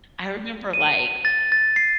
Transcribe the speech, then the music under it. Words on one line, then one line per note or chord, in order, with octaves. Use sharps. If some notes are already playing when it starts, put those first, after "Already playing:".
I remember like
D#7
A6
A6
C7